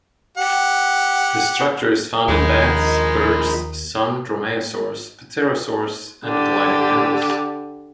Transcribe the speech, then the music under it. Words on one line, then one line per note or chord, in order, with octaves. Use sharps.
The structure is found in bats, birds, some dromaeosaurs, pterosaurs, and gliding mammals.
G4 F#5
D#2 F3 G#3 D#4 A#4 B5
D3 G4